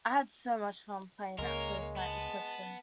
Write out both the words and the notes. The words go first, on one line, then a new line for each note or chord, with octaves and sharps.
I had so much fun playing that first night with Clifton.
C#2 G#3 A#3 A#4 C#5
B3 A5